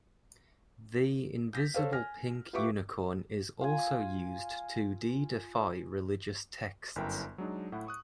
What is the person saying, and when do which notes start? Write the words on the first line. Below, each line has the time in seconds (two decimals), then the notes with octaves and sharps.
The Invisible Pink Unicorn is also used to de-deify religious texts.
1.53 G6 A#6 B6
1.74 A4 C5 C#5 F5
1.92 G#5 F6 A#6
2.53 F4 G4 B4 E5 C#6 D6
3.61 F4 G#5
6.96 G1 F#2 E4 A#4 G5 A#5
7.38 F#3 G#3 D4 D#4
7.72 A2 E4 F#5
7.87 C#6 D#6 F#6